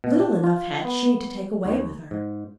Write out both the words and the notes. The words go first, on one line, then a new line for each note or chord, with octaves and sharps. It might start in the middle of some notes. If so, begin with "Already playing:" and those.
Little enough had she to take away with her.
B2
D4
F4
B3
D#2
G#2